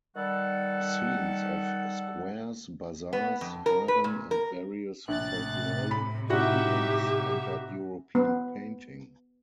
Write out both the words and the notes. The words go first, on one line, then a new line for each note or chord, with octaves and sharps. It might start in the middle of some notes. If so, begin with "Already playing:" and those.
Scenes of squares, bazaars, harem and various folklore events entered European painting.
D#3 G3 A4 F#5
B3
F2
A#4
B4
A#2
A#4
A#1 A2 C3 F#6 A6
B5
D#4 E4 F#4 G4 E5 F#5
B3